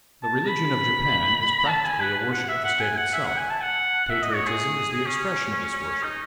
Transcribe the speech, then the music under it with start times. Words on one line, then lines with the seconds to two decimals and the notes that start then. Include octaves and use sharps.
The religion of Japan is practically a worship of the State itself. Patriotism is the expression of this worship.
0.23 A5
0.47 B5
1.67 A5
1.85 G#5
2.00 B4
2.32 F#5
2.49 E5
2.64 F#5
2.80 G#5
2.97 F#5
3.13 E5
3.25 F#5
3.37 G#5
3.50 A5
3.61 F#5
4.09 E5
4.22 D#5
4.34 C#5
4.47 G#4
5.06 C#4
6.03 D#4